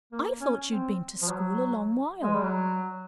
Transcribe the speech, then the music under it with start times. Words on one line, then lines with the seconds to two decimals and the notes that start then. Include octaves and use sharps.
"I thought you'd been to school a long while."
0.12 A#3
0.41 C#4
0.71 C4
1.22 F3
1.28 F#3
2.23 G#3
2.33 G3
2.43 F#3